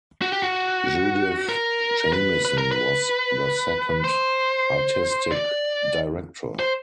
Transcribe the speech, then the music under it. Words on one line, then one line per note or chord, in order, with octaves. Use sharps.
Judith Jamison was the second artistic director.
F#4
G4
F#4
A#4
B4
B4
A#4
B4
C5
D5
C5